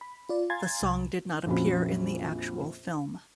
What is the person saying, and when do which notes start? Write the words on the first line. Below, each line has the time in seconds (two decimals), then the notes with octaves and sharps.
The song did not appear in the actual film.
0.01 B5
0.29 F4 D5
0.50 F5 G#5 A#5 C6 G#6 A6
0.82 C2
1.46 A#1 F2 F3 C#4 F#4 B5